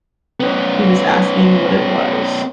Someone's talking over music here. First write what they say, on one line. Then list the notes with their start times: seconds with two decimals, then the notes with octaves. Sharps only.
He was asking what it was.
0.40 B3 C#4